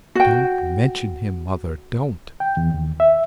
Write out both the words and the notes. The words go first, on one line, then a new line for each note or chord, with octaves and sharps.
'Don't mention him, mother, don't!'
F#4 G5
G5
E2
D#2
E5